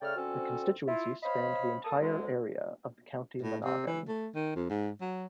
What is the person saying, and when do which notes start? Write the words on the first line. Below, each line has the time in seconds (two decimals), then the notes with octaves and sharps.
The constituency spanned the entire area of the County Monaghan.
0.01 C#3 A3 A4 D5 G5 F6
0.16 D3 F3 C4 C#4 F#4 A4
0.86 E4 F4
1.23 C5 C#5 D#5 F5 B5
1.85 A#3 A4 A5 D#6
2.01 D2 G#3
3.42 A2
3.65 C3
3.87 E3
4.08 A3
4.35 D#3
4.56 F2
4.70 G#2
5.01 F#3